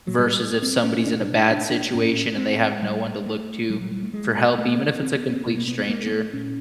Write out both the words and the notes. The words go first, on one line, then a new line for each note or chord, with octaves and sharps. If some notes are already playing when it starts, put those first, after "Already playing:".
versus if somebody's in a bad situation and they have no one to look to for help even if it's a complete stranger.
F#3
A2 G3
C4
C#4
B2 D4
D4
D4
D4
A2 C#4
C4
A2 G3
A3
A#2 G3
F#3
G3
A3
G#3
B2 A3
C4
B3
C4
B2 B3
A#3
B3
B3
A#3
A#3
A3
A#2 C#4